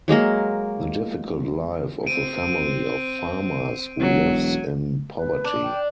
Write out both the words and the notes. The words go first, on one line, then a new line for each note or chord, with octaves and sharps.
The difficult life of a family of farmers who lives in poverty.
F#3 G#3 A#3 A#4
C4 D7 D#7
E1 F#3
B4
D4
G5